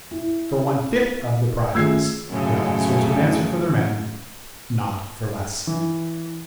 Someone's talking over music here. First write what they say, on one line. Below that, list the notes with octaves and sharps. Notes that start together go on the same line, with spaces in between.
For one fifth of the prizes, the officers would answer for their men; not for less.
E4
D#3 A3 C#4 F4 G#4 E6 G#6 C7
F#2 A2 C#3
E3